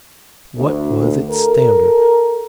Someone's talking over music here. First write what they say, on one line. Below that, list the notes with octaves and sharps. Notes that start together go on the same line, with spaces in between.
What was its standard?
D2
A4 A#4